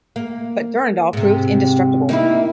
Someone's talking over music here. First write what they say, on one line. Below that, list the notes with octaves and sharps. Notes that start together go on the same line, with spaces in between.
But Durendal proved indestructible.
A#3
G#2 C3
A#3 D#4 E4